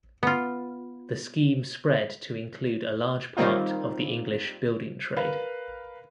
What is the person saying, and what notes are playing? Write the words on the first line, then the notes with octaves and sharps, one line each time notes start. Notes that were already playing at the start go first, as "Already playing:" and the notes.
The scheme spread to include a large part of the English building trade.
B3 F4
D#3 G3 A#3 C4 D#4 F4
A#4 B4 F5